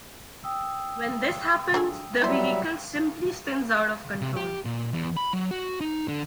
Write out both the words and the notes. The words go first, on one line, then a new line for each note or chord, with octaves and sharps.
When this happens, the vehicle simply spins out of control.
G5 D#6 E6
D3 F#3 G#4
F#3 G3 E4 C5 E5
C3
G4
A#2
E2
B5
F#3
F#4
D#4
D3